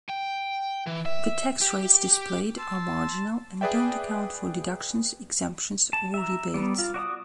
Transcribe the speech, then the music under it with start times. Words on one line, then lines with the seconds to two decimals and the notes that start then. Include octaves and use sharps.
The tax rates displayed are marginal and don't account for deductions, exemptions, or rebates.
0.10 G5
0.87 E3
1.06 E5
1.62 G4
2.59 A5 C6 E6
3.61 G#4 B4 D5 E5 G5
5.93 A5
6.14 E5 A#5
6.54 G3 B3 D5
6.79 F4
6.94 F#4 D5 A5 D#6